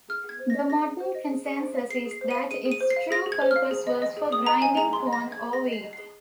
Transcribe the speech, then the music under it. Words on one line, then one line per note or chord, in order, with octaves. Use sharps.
The modern consensus is that its true purpose was for grinding corn or wheat.
G#4 F6
G#4
G#6
C5
A#6
D#5
G#4 A#6
G#4
C5
D#5
G#4
G#4
C5
F5
G#4 C7
G#4
C7
C5
D#7
F5
G#4 D#7
G#4
D#7
C5
C7
F5
G#4 A#6
G#4
G#6
C5
F6
F5
G#4
D#5
D#5
G#4
G#4 D#6
D#5 A#5
D#5 G#5
G#4 A#5
G#4 C6
D#5
A#6
D#5
G#6
G#4
G#4 A#6
D#5 C7
D#5
C7
G#4